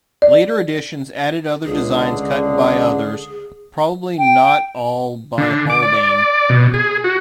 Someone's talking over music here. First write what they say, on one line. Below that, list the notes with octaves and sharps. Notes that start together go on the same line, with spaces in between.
Later editions added other designs cut by others, probably not all by Holbein.
D5
C#2 D3 G#4
G5
D3
D6
D5
B2
G#4
F#4